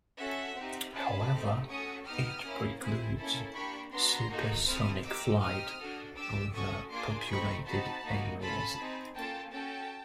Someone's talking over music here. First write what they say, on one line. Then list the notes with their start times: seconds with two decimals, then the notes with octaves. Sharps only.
However, it precludes supersonic flight over populated areas.
0.18 C#4 F#4 A4 E5 F#5
0.56 C4 D#4 G4
0.92 C#4 F4 G#4 A5 B5
1.31 A3 C4 D#4 G4
1.68 C#4 F#4 A4 C#6 D#6
2.05 B3 D#4 G4 D#6 F6
2.43 A#3 C#4 E4
2.80 C4 E4 G#4
3.17 A#3 C#4 E4 A4
3.55 A#3 D4 G4 B5 C#6
3.92 B3 D4 F#4 A#5 C6
4.29 A#3 D#4 F#4 A4
4.67 A3 C4 E4 A4 D#6 F6
5.04 A#3 D#4 G4 D6 E6
5.41 C4 D#4 G4 D#6 F6
5.79 D4 F#4 A4
6.16 D4 G4 D6 E6
6.53 C#4 F#4 A4 C#6 D#6
6.90 A#3 D4 F4 G#4 C6 D6
7.28 A3 C4 D#4 B5 C#6
7.65 C4 D#4 F#4 A5 B5
8.03 A#3 D#4 F#4
8.40 C#4 F4 A4 A5 B5
8.77 C4 D#4 G#4
9.15 A#3 C#4 F4 A4 G5 A5
9.52 C#4 F#4 A4 G5 A5